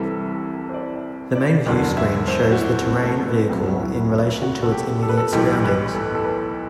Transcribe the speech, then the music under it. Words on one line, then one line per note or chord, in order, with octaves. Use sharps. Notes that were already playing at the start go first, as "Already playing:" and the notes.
The main view screen shows the terrain vehicle in relation to its immediate surroundings.
Already playing: C2 C3 E3 G3 A4
C5
D5
D5
F#1 E2 D3 F#3 D5
E5
C5
F#4
E4
C4
A3
A3
B3
D2 C3 F#3
F#4
E4
F#4
F#4
A4
G4
A4
B4
A4
B1 A2 E3 G4
B4
A4
A4
B4